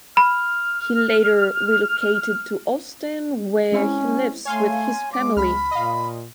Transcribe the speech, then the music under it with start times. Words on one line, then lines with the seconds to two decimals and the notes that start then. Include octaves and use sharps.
He later relocated to Ostend where he lives with his family.
0.17 B5 F6
3.72 G#3 C4 C#4 E4
4.45 A3 C#5 F5 G#5 C6
5.12 G#3 D6
5.36 C#2 B5 F6
5.71 A#2 D#5 F5